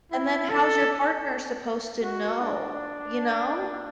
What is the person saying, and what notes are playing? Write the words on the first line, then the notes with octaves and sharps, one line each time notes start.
and then how's your partner supposed to know, you know?
E4
A4
F#4
D4